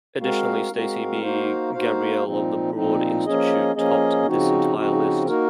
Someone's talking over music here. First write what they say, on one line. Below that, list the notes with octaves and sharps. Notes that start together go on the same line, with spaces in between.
Additionally, Stacey B. Gabriel of the Broad Institute topped this entire list.
G#3 C4 F#4 A#4 F5
G#3 C4 F#4 A#4 F5
A#3 D#4 F#4 C5 F5
A#3 D#4 F#4 C5 F5
A#2 F3 C4 D#4
A#2 F3 C4 D#4
F3 A#3 C#4 G#4 D#5
F3 A#3 C#4 G#4 D#5
C#3 F3 C4 D#4 F#4
C#3 F3 C4 D#4 F#4
A#3 D#4 F#4 A#4